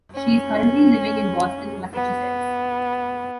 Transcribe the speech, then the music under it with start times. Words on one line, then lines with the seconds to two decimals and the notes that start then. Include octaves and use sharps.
She is currently living in Boston, Massachusetts.
0.15 C#4
1.94 B3